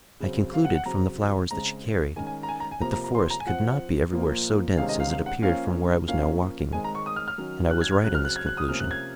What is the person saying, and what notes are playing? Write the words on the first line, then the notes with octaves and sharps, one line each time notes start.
I concluded from the flowers that she carried, that the forest could not be everywhere so dense as it appeared from where I was now walking; and I was right in this conclusion.
C#3 F#3 C4
F5
F#5
F#5
C#3 F#3 C4 A#5
C#3 G#3 C4 A#5
D#3 G#3 C#4 G#5
G#5
A#5
G#5
A#5
G#5
C3 F3 A#3 A#5
A#5
A#5
C6
A#5
G#5
F3 C4 F#5
A#2 F3 A#3
C3 D#3 G#3 C#4 F5
D#5
F5
F5
F#5
F3 A#3 C#4 F5
F3 A#3 C#4 F5
D#3 G#3 C4 G#5
A#5
C#6
D#6
F6
F6
D#3 F#3 C#4
F#6
G#6
F6
C#3 F#3 C4 F#6
F6
F#6
G#6
F#6
D#6
C3 F3 A#3 C#4 F6
F#6
G#6